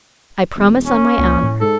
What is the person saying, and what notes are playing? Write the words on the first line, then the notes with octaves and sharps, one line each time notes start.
"I promise on my honor."
E1
C#4
C#2 A#2
A2
G#2 A4